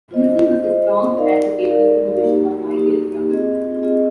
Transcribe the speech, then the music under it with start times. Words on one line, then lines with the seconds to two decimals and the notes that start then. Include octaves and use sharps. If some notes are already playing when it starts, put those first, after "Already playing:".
Wilson was a strong advocate, using the vision of Michael Young.
0.11 F4 C5 D#5
0.64 F4 C5 D#5
1.17 D#4 A#4 D5 F5
1.70 D#4 A#4 D5 F5
2.23 A#3 D#4 G4
2.76 A#3 D#4 G4
3.30 C4 F4 G#4 D#5
3.83 C4 F4 G#4 D#5